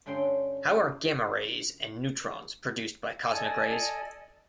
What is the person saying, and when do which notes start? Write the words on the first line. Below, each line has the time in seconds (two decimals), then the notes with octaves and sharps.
How are gamma rays and neutrons produced by cosmic rays?
0.06 G2 D3 C#4 A4 G5 C6
3.31 A4 D5 D#5 G#5 A5 D#6